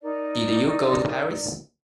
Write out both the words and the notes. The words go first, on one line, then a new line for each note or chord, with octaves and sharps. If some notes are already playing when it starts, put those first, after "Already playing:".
Did you go to Paris?
D#4 A#4 D5